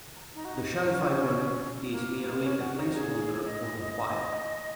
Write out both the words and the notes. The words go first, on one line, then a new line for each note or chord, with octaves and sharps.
The Shelf icon is merely a placeholder for the file.
D#4
F#4
D#4
C#4
A#3
C#4
F#4
D#4
G#4
D#5